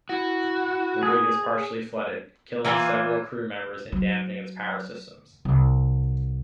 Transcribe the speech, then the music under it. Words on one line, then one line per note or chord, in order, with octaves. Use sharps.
The rig is partially flooded, killing several crew members and damaging its power systems.
E4 F#4
G#4
E3 A#3 F4 G#5
F#3
C2